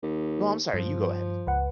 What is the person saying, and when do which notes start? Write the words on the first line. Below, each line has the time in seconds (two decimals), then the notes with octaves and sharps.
No, I'm sorry, you go ahead.
0.03 D#2
0.74 G2 F3
1.47 C#2 B4 F#5